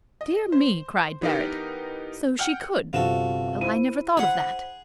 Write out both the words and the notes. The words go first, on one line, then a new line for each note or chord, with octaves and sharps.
"Dear me," cried Barrett, "so she could; well, I never thought of that."
D#5
C5
E3 B3 D#4 G4 A#4
F#5 G5 F6
G1 C3 F4 F#4 A4 E7
E4 C5 D#7
G#4 F#5 B5 C6